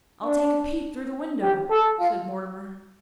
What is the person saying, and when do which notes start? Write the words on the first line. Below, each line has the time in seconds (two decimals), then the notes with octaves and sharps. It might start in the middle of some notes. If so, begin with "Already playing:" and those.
'I'll take a peep through the window,' said Mortimer.
0.24 D4
1.42 G4
1.70 A4
1.99 F4